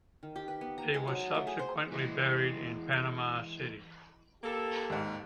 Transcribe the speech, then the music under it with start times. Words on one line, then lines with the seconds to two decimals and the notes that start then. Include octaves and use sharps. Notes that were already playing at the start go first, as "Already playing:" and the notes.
He was subsequently buried in Panama City.
0.23 D#3
0.36 G4
0.48 B4
0.61 B3
0.78 A#5
0.94 G#3
1.08 F#3
1.19 A5
1.35 A3
1.47 G#4
1.59 C5
1.92 E3 G#3
4.43 A#3 G4 A4
4.90 D#2 G#2